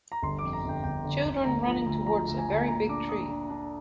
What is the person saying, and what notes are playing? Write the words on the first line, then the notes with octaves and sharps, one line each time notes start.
Children running towards a very big tree.
A#5
G1 C6
F2 D6
A#5
G1 G5
G1 G5
D3
G1
D2 A#5
F3
D2
F3 A#5
D2
G#5
D2
A#2 A#5
D4 D6
A#2 D#6
D4
D4